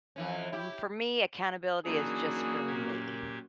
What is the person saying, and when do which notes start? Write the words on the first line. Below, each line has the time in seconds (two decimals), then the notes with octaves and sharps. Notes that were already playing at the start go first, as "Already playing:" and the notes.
mm, for me, accountability is just for me.
0.16 F2 E3 C#4
0.52 E4 G4
1.85 F#2 E3 A#3 D4 D#4 F#4 G#4
2.67 A#2 G4 G#6